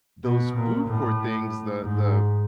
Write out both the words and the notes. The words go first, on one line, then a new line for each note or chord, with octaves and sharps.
those food court things, the the
B2
A#2
A2
G#2